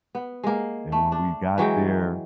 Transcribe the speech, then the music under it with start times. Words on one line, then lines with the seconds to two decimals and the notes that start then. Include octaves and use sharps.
And when we got there,
0.15 B3
0.43 G#3 A#3
0.92 A3
1.12 D4
1.58 E3 F#3 G#3 G5